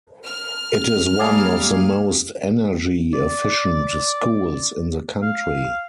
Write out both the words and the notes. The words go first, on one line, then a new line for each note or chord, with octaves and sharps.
It is one of the most energy efficient schools in the country.
F6
G3 G#3 A#3 G#4 D5 F5 D6
D5
F5